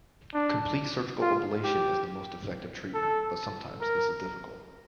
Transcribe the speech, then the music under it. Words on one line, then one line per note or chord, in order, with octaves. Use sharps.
Complete surgical ablation is the most effective treatment, but sometimes this is difficult.
D4
F4
G4
A4
A#4